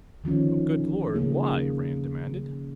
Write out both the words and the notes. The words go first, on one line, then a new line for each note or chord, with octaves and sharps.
"But good Lord, why?" Rand demanded.
D3 D#3 F3 C#4
C#3 A#3 G#4